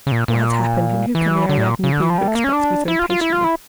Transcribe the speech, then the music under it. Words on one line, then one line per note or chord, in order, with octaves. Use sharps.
What has happened, and who can the Ariadne be who expects me so impatiently.
C#3
A#2
A#2
E3
D3
A2
A#2
C#3
D3
E3
F3
G3
A3
A#3
C#4
D4
E4
F4
F4
E4
F4
E4